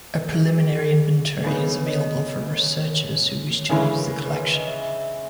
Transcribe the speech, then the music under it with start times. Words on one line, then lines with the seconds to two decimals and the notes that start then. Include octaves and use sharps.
A preliminary inventory is available for researchers who wish to use the collection.
0.17 A#4
0.31 G#4
0.45 F#4
0.58 G#4
0.73 G#4
1.43 C#3 G#3 B3 D#4 G#4
1.57 B4
1.71 C#5
1.86 D#5
2.00 D#5
2.57 C#5
3.59 C#5
3.69 C#3 E3 G#3 C#4 E4 B4
3.84 A#4
3.97 G#4
4.12 A#4
4.25 B4
4.39 C#5
4.54 D#5
4.67 E5
4.83 E5
5.00 E5